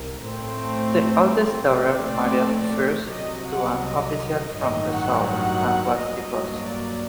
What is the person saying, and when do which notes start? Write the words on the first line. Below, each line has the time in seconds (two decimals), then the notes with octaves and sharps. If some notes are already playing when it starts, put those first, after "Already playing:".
The oldest daughter married first to an official from Breslau, and was divorced.
Already playing: C2 A#4
0.25 A1 A2 A3 C4 C5
1.68 A#1 A2 A3 C4 D5
3.11 C2 C3 F#3 D#5
3.47 F#5
3.83 D#5
4.55 A1 G2 D#3 F#3 D#5
4.91 F#5
5.27 F#5
5.98 G2 F#3 A#3 D#5
6.70 D5